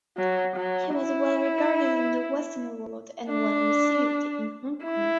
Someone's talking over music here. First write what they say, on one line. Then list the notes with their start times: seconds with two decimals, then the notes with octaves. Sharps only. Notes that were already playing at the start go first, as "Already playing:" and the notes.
He was well regarded in the Western world and well received in Hong Kong.
0.17 F#3
0.56 F#3
0.95 E4
3.28 D4
4.84 E4